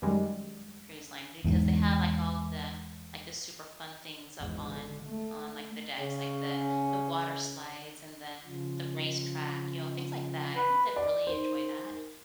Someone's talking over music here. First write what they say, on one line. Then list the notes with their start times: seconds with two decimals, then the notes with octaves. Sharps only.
cruise line because they have, like, all of the like, the super fun things up on on, like, the decks, like the the water slides and the the racetrack, you know, things like that. I think they'd really enjoy that,
0.02 F#2 D#3 G3 G#3
1.44 E2 G#2
4.39 G#1 E2
4.69 D3
5.03 A3
5.99 C#3 C#4
8.44 C#3 F3
10.56 B4
10.96 D5
11.27 D#4 A#4 C5